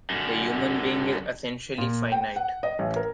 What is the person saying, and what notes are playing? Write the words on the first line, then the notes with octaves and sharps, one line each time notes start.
The human being is essentially finite.
F#2 D3
A#2
G5
F#5
D#5
A1
A#4